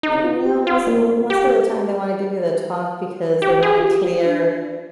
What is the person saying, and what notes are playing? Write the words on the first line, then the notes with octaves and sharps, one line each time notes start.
No, most of most of the time they wanna give you the talk because they wanna clear
D#4
F4
G4
F4
A#3
G4
G4
G#4
F4
G4
F4
D4